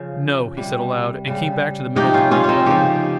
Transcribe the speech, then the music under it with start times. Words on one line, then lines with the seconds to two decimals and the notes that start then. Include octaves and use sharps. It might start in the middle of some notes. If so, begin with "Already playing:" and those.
"No," he said aloud, and came back to the middle of the room.
Already playing: C#3 F3
0.57 C3 G3
1.27 C#3 G3
1.96 C3 F3 D#4 G4
2.14 C#4 F4
2.31 C#4 F4
2.44 C4 C#4 D#4
2.66 C#3 F3 D#4 G4